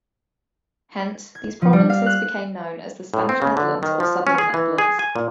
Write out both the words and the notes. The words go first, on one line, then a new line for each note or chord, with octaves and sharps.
Hence, these provinces became known as the Spanish Netherlands or Southern Netherlands.
G#6
F3
G3
F5
F#6
A2
C4
C#3
D3
D#3
F3
C#4
G#4
E3
G#4
G#5
A#2